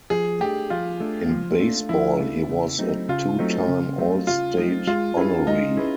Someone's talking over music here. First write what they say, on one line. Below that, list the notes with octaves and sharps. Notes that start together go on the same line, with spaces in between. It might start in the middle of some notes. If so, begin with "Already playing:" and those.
In baseball, he was a two-time All-State honoree.
F3 G#4
A3 D4 G4
F3 F4
A3 D4
F3
A3 D4
F3 E4
A3 D4
C#3
F#3 A3 C4 D#4
C#3 F4
F#3 A3 C4 D#4
C#3
F#3 A3 C4 D#4
C#3 F4
F#3 A3 C4 D#4
G#3 F4
C#4 E4 G#4 B4
G#3 D#4
C#4 E4 G#4 B4